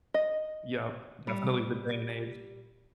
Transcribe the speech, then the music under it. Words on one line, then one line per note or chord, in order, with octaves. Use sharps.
Yep, definitely the day and age.
D#5
G3